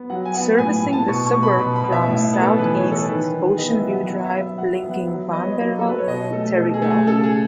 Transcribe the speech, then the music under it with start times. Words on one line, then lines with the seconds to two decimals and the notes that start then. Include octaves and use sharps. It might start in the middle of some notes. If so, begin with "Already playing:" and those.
Servicing the suburb from the south-east is Ocean View Drive, linking Wamberal to Terrigal.
Already playing: B3
0.10 F#3 F#5
0.25 G#5
0.34 B3 F#5
0.58 A2 G#5
0.76 G#5
0.84 A2
0.93 A5
1.08 B2 C#6
1.26 C#6
1.34 B2
1.43 B5
1.59 B2 B5
1.76 B5
1.84 B2
1.92 E5
2.08 A2 E5
2.33 B3
2.42 A4
2.58 E3 B4
2.75 C#5
2.83 E3
2.92 A4
3.08 D#3 B4
3.33 D#3
3.58 B3 D#5
3.75 E5
3.83 F#3
3.91 F#5
4.07 B3 E5
4.25 E5
4.33 F#3
4.42 E5
4.58 F#3 F#5
4.75 E5
4.83 B3
4.91 F#5
5.07 F#3 E5
5.33 B3 D#5
5.43 C#5
5.52 D#5
5.58 F#3
5.79 F#3 A4
5.89 B4
5.98 C#5
6.07 B2 D#5
6.33 A3 A4
6.57 B2 A4
6.74 G#4
6.82 A3
6.90 G#4
7.07 C#3 A4
7.23 G#4